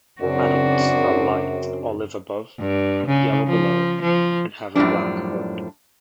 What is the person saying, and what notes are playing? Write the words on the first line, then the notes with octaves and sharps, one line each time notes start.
Adults are light olive above, yellow below and have a black hood.
F#2 C#3 E3 C4 D4 D#4 F#4 D5
G2
C#3
F3
F3
F#2 A2 F3 G3 D4